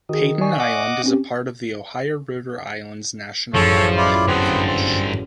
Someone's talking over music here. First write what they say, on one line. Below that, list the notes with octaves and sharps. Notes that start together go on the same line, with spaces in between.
Paden Island is a part of the Ohio River Islands National Wildlife Refuge.
D#3 F#4 G#4
D5 G#5 C#6
D#5 F#5 D6
C4 C#4 G4
A1 F#2 F3 G#4 A4 C#5
E4 F4 D5
G2 D3 B3 C4
C4